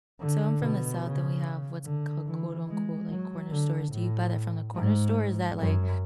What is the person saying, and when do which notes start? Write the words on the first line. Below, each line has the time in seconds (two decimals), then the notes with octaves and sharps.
So I'm from the south and we have what's called quote unquote, like "corner stores." Do you buy that from the corner store? Or is that, like,
0.20 D3
0.61 B2
1.03 C#3
1.85 D3
2.26 E3
2.68 G#3
3.10 F#3
3.51 D3
3.92 A2
4.75 G#2
5.58 F#2